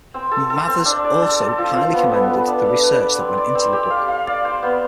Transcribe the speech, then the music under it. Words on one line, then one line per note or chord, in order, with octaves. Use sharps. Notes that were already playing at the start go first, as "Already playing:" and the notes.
Mathers also highly commended the research that went into the book.
C4
A4
A4
C4
D4
D5
A4
A4
F3
F3
B3
B3
B4
D4
D4
B4
D5
C4
D5
C4
G4
F5
F5
D5
C5
B3